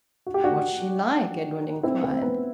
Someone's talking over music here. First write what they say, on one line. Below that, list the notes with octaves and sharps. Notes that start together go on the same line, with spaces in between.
"What's she like?" Edwin inquired.
F#4
G4
D4 F#4
C4 E4
C4
B3